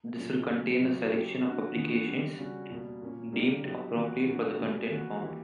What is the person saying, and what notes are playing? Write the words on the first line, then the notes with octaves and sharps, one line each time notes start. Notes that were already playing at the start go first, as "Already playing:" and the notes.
This will contain a selection of applications deemed appropriate for the content found.
A#2 F#3 C#4
C#3 F#3 C#4
B2 F#3 C#4 G4
F#3 C#4 E4 G4
B2 A#3 D4 F#4
E3 B3 D4 F#4
G3 B3 D4 G4
C#3 G3 C#4 F#4
B2 G3 A#3
A#2 A#3 C#4
G3 A#3 D4 G4
F#3 B3 E4 G4
E3 B3 F#4
B2 A#3 D4 F#4
B2 G3 C#4 E4 G4
E3 A#3 C#4 F#4
E3 A#3 E4 G4